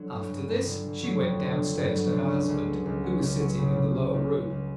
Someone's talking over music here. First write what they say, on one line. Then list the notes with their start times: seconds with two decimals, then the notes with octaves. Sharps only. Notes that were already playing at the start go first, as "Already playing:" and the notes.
After this she went downstairs to her husband, who was sitting in the lower room.
Already playing: D3 F#3
0.11 G1
0.30 G1
0.48 G1
0.66 D3
0.84 G1
1.03 F#3
1.21 F2
1.39 D3
1.57 D3
1.76 G1
1.94 F#3
2.12 D3
2.30 C#2
2.49 C#2
2.67 F#3
2.86 C#2
3.04 F#3
3.22 C#2
3.40 F#3
3.59 C#3
3.77 C#3
3.95 C#3
4.14 C#2
4.32 C#2
4.50 C#2